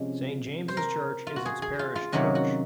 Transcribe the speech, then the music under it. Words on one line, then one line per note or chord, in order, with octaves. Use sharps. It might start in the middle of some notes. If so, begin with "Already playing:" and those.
Saint James' Church is its parish church.
Already playing: C3 F3 G#3 C#4
C5
A#4
F4
F#4
G#4
G#4
F4
F4
C3 D#3 F#3 A#3 C#4 F#4
F#4